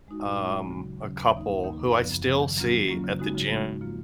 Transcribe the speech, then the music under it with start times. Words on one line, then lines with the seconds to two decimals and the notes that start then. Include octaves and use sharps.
um, a couple who I still see at the gym
0.08 G#3 D#4 F#4
0.24 A#2
0.39 G#3 D#4 F#4
0.55 D#2
0.70 C#3 F#3 C#4
0.86 D#2
1.02 C#3 F#3 C#4
1.17 D#2
1.32 D#3 A#3 D#4
1.48 D#2
1.64 D#3 A#3 D#4
1.80 F#2
1.95 C#3 F3 B3
2.11 F#2
2.26 C#3 F3 B3
2.42 D#3
2.57 F#3 A#3 C#4 F4
2.73 D#3
2.88 F#3 A#3 C#4 F4
3.04 C#3
3.19 G#3 B3 D#4 F#4
3.35 C#3
3.50 G#3 B3 D#4 F#4
3.66 G#2
3.81 F3 A#3 F4